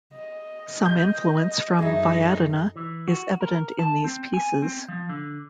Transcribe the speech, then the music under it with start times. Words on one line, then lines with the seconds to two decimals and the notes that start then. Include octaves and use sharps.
Some influence from Viadana is evident in these pieces.
0.13 D#5
0.86 D#5 G6
1.79 F#2 D#4 G#4 A4 E5
2.76 E3
3.08 F#4
3.41 A#4
3.79 A5
4.04 C4
4.34 G#5
4.62 C4
4.89 F3
5.09 D3